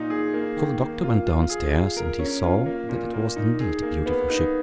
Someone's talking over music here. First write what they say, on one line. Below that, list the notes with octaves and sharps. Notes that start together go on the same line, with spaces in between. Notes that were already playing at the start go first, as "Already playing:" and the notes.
So the Doctor went downstairs and he saw that it was indeed a beautiful ship.
Already playing: A#2 D#4
G#4
A#3
D#3
A#3
F4
F4
G#4
F4
A#4
C#4
F4
A#3
A#2
A#3
D#4
G#4
A#3
B3
D#4